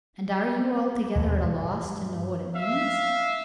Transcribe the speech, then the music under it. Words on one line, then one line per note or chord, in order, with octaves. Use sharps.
And are you altogether at a loss to know what it means?
D#2 B2 E3
E3 F#3
G2
E5 F5